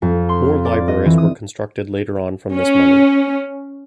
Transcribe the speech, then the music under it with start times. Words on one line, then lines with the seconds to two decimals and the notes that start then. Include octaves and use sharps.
More libraries were constructed later on from this money.
0.02 F2
0.29 C6
0.44 F5
0.65 D5
0.88 D#5
1.06 E3
1.18 D#6
2.54 C#4